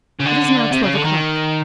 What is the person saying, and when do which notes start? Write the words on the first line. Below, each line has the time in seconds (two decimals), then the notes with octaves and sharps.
"It is now twelve o'clock."
0.20 C#3
0.25 D3
0.71 C3
0.83 C#3
0.94 D3
1.05 D#3